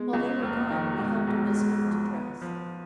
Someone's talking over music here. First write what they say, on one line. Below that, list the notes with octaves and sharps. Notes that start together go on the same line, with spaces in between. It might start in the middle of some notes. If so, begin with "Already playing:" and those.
While they were gone we helped Elizabeth to dress.
Already playing: G#3 B3
C#2
F1 A#3
D#3
B2 G#3
B1
G#1
F3
B3
F3